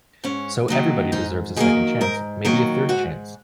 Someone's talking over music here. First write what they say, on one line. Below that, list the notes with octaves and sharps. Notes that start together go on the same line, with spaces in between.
So everybody deserves a second chance, maybe a third chance.
G#2 C#4
D#3 F#3 A#3
G#2 D#4
D#3 F#3 A#3 G#4
G#2 A#4
D#3 F#3 A#3 A#4
G#2 F#4